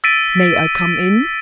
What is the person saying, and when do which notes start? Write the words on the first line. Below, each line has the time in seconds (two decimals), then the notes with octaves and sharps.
"May I come in?"
0.04 E6 A6 B6 D7 D#7